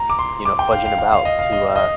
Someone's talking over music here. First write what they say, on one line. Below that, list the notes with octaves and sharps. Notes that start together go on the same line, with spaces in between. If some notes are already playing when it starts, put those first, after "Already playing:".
you know, fudging about to, uh,
Already playing: A#5
D6
C6
D6
G5
F5
F5
F5
F5
D#5
F5
D#5
D#5